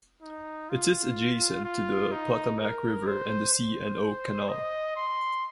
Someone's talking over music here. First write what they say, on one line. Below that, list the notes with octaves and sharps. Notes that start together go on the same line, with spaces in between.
It sits adjacent to the Potomac River and the C and O Canal.
D#4
F4
F4
D#4
A#4
C5
C5
D#5
C6